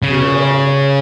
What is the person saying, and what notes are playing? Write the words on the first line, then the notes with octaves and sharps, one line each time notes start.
you're, um,
C#3